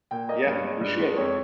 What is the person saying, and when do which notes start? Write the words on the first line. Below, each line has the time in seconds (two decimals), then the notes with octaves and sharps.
Yeah, you should.
0.11 A#2 G5
0.29 A#3 D#5
0.47 G2
0.63 G#3
0.81 G2
0.99 G#3
1.16 F2 C#5